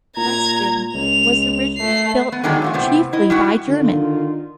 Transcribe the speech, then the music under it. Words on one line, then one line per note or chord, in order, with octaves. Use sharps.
Creston was originally built up chiefly by Germans.
A#2 A#5 G#6
C#2 F7
A3 C7
B3
D3 D#3 F#3 G#3 B3 D4
A#2 A3 F#4
A2 C3 B3 C4
E4 D#5
G3 E4 F#4
D3 D#3 F4